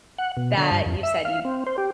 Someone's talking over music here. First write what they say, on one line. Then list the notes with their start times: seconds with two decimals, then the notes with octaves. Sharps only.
that you said you
0.18 F#5
0.37 B2
0.57 D3
0.71 G2
0.86 F2
1.03 E5
1.25 F5
1.45 C4
1.67 C5
1.78 G4